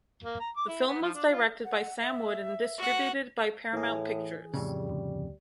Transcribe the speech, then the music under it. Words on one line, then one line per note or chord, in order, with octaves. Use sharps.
The film was directed by Sam Wood and distributed by Paramount Pictures.
A#3
A#5
D6
E4
B3
F3
D4
F4
F#5
E5
F#4 F#5
A2 E3 G#4
F2 A2 C#3 G3
D2